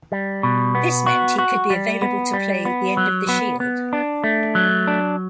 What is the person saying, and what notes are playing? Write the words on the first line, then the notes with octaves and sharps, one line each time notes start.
This meant he could be available to play the end of the Shield.
G3
B2
B3
F#4
F#4
G3
B3
G3
B3
F#3
B3
B3
D4
A3
F#3
D4